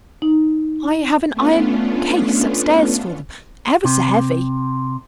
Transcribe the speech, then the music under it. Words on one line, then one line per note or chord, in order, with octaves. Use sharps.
"I have an iron case up-stairs for them;--ever so heavy."
D#4
A3 B3 C#4 D4 F4
C3